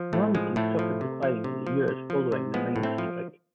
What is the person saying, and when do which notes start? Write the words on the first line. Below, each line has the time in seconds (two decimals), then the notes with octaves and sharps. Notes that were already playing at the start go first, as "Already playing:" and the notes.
Normanton suffered decline in the years following the miners' strike.
Already playing: F3
0.13 A2 A3
0.35 F3 G#3
0.56 A2 A3
0.79 F3
1.01 C3
1.23 F3
1.44 C3
1.67 F3
1.88 C3
2.10 F3
2.32 C3
2.54 F3 G#3 B3
2.76 A2
2.83 A3 C4
2.98 F3